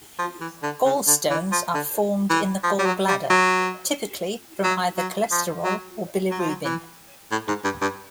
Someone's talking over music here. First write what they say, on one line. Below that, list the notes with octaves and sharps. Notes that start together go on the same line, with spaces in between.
Gallstones are formed in the gallbladder, typically from either cholesterol or bilirubin.
F3
E3
D3
C#3
D3
E3
F3
D3
E3
F3
G3
F#3
G3
F#3
F#3
F#3
F3
F#3
F#3
F3
F#3
E3
A2
G#2
G2
G2